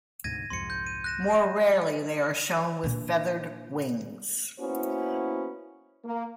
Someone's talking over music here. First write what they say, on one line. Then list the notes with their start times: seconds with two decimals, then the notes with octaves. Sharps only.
More rarely, they are shown with feathered wings.
0.24 D2 G#2 C3 G#6 A#6 D#7
0.50 C2 F2 G#2 C6 C#7
0.70 G6
0.87 D#7
1.04 F#6 A#6 E7
2.84 A#2 D3
4.59 A#3 B3 C#4 E4 F#4 C5
6.05 A#3